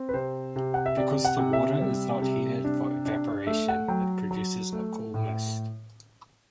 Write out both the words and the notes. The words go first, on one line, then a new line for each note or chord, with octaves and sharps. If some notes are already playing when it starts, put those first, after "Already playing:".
Because the water is not heated for evaporation, it produces a cool mist.
Already playing: C4
B4
C3 C5
C3
F#5
E5
C3 D5
F#5
C3
E5
G3
C3
D4
D4
A3 E5
F#5
F#3 G5
F#3
A3
A2